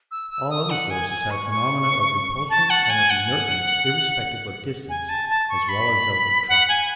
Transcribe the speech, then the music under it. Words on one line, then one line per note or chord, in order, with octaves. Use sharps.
All other forces have phenomena of repulsion and of inertness irrespective of distance, as well as of attraction.
E6
E6
D#6
F#5
G#5
G#5
C#6
C#6
A5
F#5
G#5
F#5
G#5
A5
A5
C#6
B5
F#5
G#5